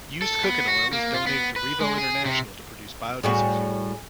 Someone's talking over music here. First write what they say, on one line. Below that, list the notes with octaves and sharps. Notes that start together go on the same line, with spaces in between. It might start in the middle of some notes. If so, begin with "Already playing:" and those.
Used cooking oil is donated to Revo International to produce biodiesel fuel.
A4
B3
F#4
A#3
F4
B3
B4
G#3
G#4
C3
A2 G3 F#4 G#4 C#5 G5